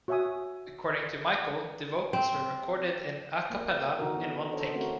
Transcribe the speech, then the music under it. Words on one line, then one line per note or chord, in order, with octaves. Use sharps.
According to Michael, the vocals were recorded in a cappella in one take.
F#4 C#5 E5 F#5 G#5 D#6
C4
A#3
D3 E3 D#4 F#4 A#4
B3
D4 A4 C5 C#5 D#5
A3 C4 C#4 F#4 A4 A#4